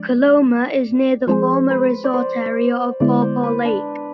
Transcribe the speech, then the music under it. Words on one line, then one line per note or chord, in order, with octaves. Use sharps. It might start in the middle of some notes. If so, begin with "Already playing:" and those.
Coloma is near the former resort area of Paw Paw Lake.
Already playing: F3 G#3 D4 D5
F3 G#3 C4 G#4 C5
B4
D5
C5
D3 G#3 B3 E4 D5
C5
B4
D4